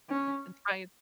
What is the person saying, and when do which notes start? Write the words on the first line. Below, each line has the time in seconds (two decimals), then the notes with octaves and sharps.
And try an
0.09 C#4